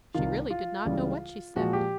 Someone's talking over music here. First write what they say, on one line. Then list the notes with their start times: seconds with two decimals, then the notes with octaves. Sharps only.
She really did not know what she said.
0.14 C2 C3 D#3 F4
0.51 F4
0.85 C#2 C#3 E3 G3
1.56 A#2 F3 G#3 F#4
1.73 G4